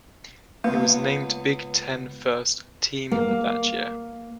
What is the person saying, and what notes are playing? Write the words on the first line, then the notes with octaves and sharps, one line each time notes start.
He was named Big Ten First Team that year.
C#2 A#3 B3
A#3